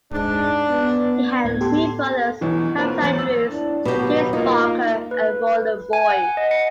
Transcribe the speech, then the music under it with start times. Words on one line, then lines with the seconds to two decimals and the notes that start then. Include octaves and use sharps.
He had three brothers, Thomas Andrews, James Barker and Roland Boys.
0.12 G#2 D4
0.70 B3
1.44 D2 A2 B3 G#6
1.61 G4 A4 C6
2.41 E2 B2 E3
2.77 A#3 C4 F4 A#4 B4
3.01 A1 E2 C5 A6 F#7
3.19 E6
3.51 A2 D4
3.85 D#2 B2 F#3 B3 G4
4.33 A#3 D#4 F4
5.11 B4
5.93 G#5
6.10 F#5
6.37 D#5
6.51 C#7